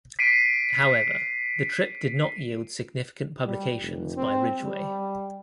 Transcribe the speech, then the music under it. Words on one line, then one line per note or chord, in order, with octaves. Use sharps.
However, the trip did not yield significant publications by Ridgway.
B6 C7 D7 D#7
G3
F1
C4
G3